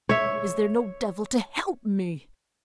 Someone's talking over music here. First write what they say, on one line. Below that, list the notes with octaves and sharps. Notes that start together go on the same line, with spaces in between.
Is there no devil to help me?'
C#5 E5